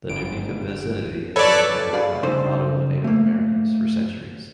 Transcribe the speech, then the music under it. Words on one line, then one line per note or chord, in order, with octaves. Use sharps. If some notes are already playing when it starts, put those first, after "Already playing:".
The Nunica vicinity has been inhabited by the Ottawa Native Americans for centuries.
G1 D7
A4 B4 C#5 D5 G#6
G#4 D5 F5 B5
G2 C#3 D#4 A4 C5 C6
A3 A#3